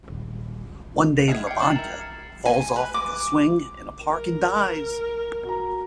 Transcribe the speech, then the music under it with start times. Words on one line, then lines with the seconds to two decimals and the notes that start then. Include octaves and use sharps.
One day, Lavanya falls off the swing in a park and dies.
0.10 D#1
1.28 B3 E4 G#4 F6 G#6
1.47 G4 G5 C7 C#7
1.61 A6 E7 F#7
1.76 E4 A#4
2.46 G#5
2.76 B4
2.94 D6
4.03 A#4
5.45 F#4 A#5